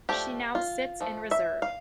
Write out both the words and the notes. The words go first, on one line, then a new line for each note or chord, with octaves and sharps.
She now sits in reserve.
F3 A3 D4 G4
F4
F3 A3
E5
F5